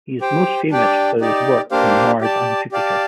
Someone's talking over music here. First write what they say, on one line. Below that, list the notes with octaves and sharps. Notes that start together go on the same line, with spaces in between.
He is most famous for his work on Mars and Jupiter.
G4 C5 G5
D4 G4 D5 G5
D#4 G4 D5
A#3 D4 G4 C5 F5
G4 D5 A5
G4 D5 F5 A5